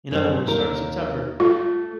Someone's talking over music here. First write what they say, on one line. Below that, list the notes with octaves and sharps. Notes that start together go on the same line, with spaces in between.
in other words, starting September,
F#2 D4 C5
D#2 A#4
A3 F4